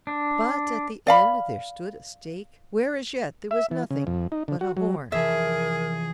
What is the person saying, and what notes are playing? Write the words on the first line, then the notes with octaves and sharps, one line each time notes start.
But at the end there stood a stake where as yet there was nothing but a horn.
D4
D5 F5 B5
E5
E3
C#3
F2
D#4
D3
F#4
F#3
F1 E3 G#4 A#4 E5 A5